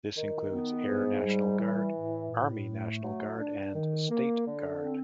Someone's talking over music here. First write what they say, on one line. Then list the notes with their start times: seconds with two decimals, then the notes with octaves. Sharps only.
This includes Air National Guard, Army National Guard, and State Guard.
0.16 D#3
0.52 B3
0.88 G#2
1.23 G3
1.59 E3
1.95 A2
2.30 A2
2.67 A3
3.03 F#3
3.38 D4
3.74 D#3
4.10 A#3
4.46 D3
4.81 C4